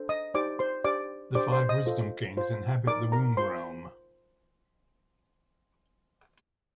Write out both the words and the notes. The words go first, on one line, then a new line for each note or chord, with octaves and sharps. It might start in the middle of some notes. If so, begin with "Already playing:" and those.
The Five Wisdom Kings inhabit the Womb Realm.
Already playing: D4 A4 C5
D#5 D#6
D#4 G4 C5 D5 D6
C5 C6
D4 G4 C5 D5 D6
D4 G4 C5 D5 D6
C5 C6
D#5 D#6
F4 A4 C5
F4 C5
D#4 A#4 D5 D6
A#4 A#5
F4 C5 C6